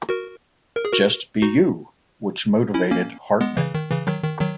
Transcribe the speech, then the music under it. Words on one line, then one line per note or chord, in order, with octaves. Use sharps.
Just be you which motivated Hartman.
F#4 A#4
A#4
G#4
F#4 A#4
D#4 F#4
C#4 E4
A#3 C#4
G#3 B3
C#3 E3
D#3
C#3 E3
D#3 F#3
D#3
D#3 F#3